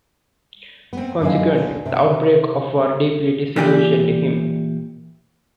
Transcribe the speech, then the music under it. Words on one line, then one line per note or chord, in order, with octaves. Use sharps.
Consequently, the outbreak of war deeply disillusioned him.
B3 C4
D3 F#3 D#4 F5 G#5
C3
A#2 E3 G4 D5